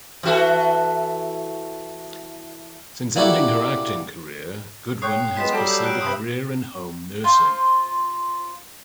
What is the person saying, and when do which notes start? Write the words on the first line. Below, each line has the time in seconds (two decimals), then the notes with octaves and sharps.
Since ending her acting career, Goodwin has pursued a career in home nursing.
0.23 E3 F#4 A4
3.16 A#3 D4 E4 F#4 G4 A4
5.02 C#5 F#5 G5 D#6 C7
5.37 G#3 B3 F4 B6 E7
5.52 F#3 G3 G4 A4 D5
5.67 E6 G6
5.84 F#6 D7
6.00 G2 C3 B5 C6 D#6
7.24 F4 C5